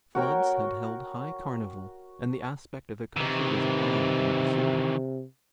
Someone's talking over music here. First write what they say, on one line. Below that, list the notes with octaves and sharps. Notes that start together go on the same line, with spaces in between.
Floods had held high carnival, and the aspect of the country was wild and deserted.
F#4 A#4 C#5 G5
C3 D#3 E3